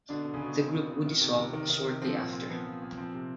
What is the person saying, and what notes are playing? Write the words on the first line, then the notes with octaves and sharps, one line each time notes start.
The group would dissolve shortly after.
B2 D3 D4
B2
C#3 C#4
B2
B2 C4
B2
B2
D#3
C3
C3
D#3
D#3
C3
F3 C4
A#2
A#2
F3 B3
F3
A#2
F3 C4
C3